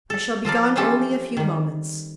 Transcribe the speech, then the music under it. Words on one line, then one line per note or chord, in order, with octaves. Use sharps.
"I shall be gone only a few moments."
A4
F3 A4 A#4 D5
E3 F3 C4 C#4 G4 A4
D#3 G3